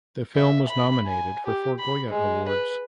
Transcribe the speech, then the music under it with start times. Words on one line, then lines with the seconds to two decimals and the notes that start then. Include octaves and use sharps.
The film was nominated for four Goya Awards.
0.35 E5
0.69 B5
1.07 G#5
1.46 G4
1.79 B5
2.10 G#3
2.48 B4